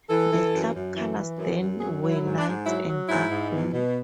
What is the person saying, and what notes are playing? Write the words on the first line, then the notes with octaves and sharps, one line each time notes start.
The Club colours then were Light and Dark Blue!
E3 A4
E3
F#2
F#2
E3
E3
F#2
F#2
F#3 G#4
F#3
E4
G#2
D4
G#2
F#3 E4
F#3
G#2 E4
G#2
E2
B2